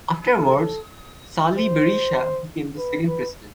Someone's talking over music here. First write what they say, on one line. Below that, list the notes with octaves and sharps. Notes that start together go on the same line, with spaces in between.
Afterwards, Sali Berisha became the second President.
A4
C5
B4
B4